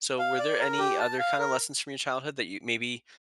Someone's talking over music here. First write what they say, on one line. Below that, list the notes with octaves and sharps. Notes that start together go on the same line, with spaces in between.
So, were there any other kinda lessons from your childhood that you maybe
F5
D5
A#4
G4
A5
F5
A#4